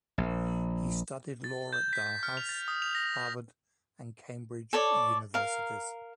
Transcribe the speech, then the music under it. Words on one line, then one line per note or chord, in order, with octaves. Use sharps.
He studied law at Dalhousie, Harvard and Cambridge Universities.
A#1
A6
G6
B6
F6
F7
A6
D#6
F7
A#6
A4 C#5 D5
A#4 F5